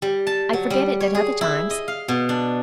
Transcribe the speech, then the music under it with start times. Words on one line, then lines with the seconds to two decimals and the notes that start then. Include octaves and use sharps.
I forget it at other times.
0.02 G3
0.27 A5
0.53 F#3
0.70 G3
1.00 C#5
1.15 G#4
1.41 E4
1.70 D#5
1.88 F5
2.08 B2
2.29 D4